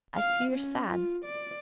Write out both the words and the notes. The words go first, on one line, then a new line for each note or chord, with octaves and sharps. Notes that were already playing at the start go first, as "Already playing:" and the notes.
I see you're sad....
F5
C#4
F4
D5